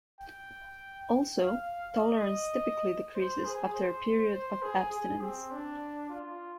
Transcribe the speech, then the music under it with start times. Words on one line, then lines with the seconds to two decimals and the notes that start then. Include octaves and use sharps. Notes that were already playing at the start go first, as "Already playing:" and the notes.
Also, tolerance typically decreases after a period of abstinence.
0.20 G5
1.38 F5
1.97 D#5
3.15 C5
3.45 G#4
3.74 C5
4.33 C5
4.63 G#4
4.92 G#4
5.21 C4
5.51 D4
6.10 F4